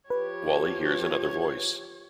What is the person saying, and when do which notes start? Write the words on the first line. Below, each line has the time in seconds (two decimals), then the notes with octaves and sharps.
Wally hears another voice.
0.10 F3 G4 B4 C#5